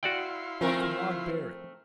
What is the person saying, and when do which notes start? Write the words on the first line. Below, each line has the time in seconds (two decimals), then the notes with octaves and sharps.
I could not bear it.
0.03 E4 F#4 D5 F5 G5 C6
0.61 F3 A3 C4 A#4